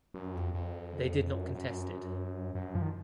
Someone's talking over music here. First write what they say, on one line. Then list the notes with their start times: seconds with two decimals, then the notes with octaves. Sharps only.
They did not contest it.
0.14 F#2
0.35 F2
0.54 F2
1.34 F#2
1.55 F#2
2.55 F#2
2.75 F3
2.82 D#3